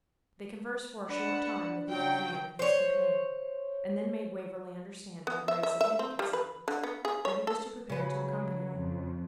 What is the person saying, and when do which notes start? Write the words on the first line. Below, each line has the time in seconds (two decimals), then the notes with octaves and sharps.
They conversed for a short time with the old man and his companion, and then made Waverley understand, by very significant signs, that he was to prepare to accompany them.
1.06 D4 B4 D5 F#5 A5
1.90 C#3 F#3 G5
2.59 C5 C#5
5.27 B3
5.48 E5
5.63 E5
5.81 E5
5.99 C4
6.19 G3
6.33 B4
6.68 D3
6.83 B3
7.05 G#4
7.25 C#5
7.47 A4
7.89 C#3 F#3 B4
8.77 F2